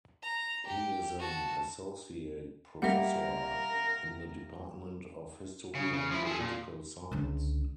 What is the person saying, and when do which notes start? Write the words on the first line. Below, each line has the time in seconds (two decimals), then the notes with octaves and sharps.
He is an associate professor in the department of History and Political Science.
0.22 A#5
0.67 G4
1.19 F#4 A5
2.82 G3 A#3 A#4 E5 F#5
5.75 C#3
5.93 C#3
6.11 F3 E4
6.26 G#4 A4
6.40 A#2
7.11 C#2 D3